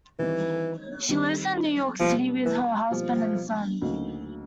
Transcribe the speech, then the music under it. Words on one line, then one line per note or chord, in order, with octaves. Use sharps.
She lives in New York City with her husband and son.
D#3 E3 G3 C4
D#3 G3 C4
B2 F3 G3 A#3
E3
B2 F3 G3 A#3
D2 C#3 F#3 A#3 D#4